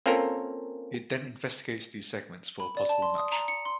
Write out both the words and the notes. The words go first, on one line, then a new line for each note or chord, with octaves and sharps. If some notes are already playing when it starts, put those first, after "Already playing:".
It then investigates these segments for a possible match.
A#3 C4 C#4 F4 A4 A#4
B5
D5
A5
C6
D#6
A#5
C#7
C6